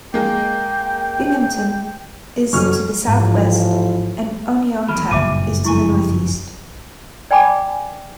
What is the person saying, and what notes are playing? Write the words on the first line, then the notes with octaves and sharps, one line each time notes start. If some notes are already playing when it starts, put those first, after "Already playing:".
Binghamton is to the southwest, and Oneonta is to the northeast.
G#3 A#3 G5
F#1 F#3 C#4 A4 C#6 F6
A1 G#2 F3
E2 D#3 F#3 B5 F6
F#1 G2 A#2 E5 D6 D#7
F2 E4 G#5 C#6
D5 G5 G#5 B5 D6